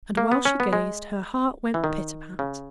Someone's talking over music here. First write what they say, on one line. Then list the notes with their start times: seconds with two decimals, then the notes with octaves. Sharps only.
And while she gazed her heart went pitapat.
0.17 A#3
0.32 B3
0.45 C#4
0.60 B3
0.73 G#3
1.74 E3
1.84 D#3
2.39 C#3